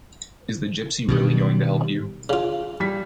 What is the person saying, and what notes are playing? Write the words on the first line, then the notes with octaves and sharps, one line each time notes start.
Is the gypsy really going to help you?
B2 D#3 G3
C#3 F4
G3 B6